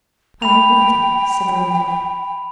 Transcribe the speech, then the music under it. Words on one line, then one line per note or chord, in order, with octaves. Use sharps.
"I have nothing," said the landlord.
G5 B5 F7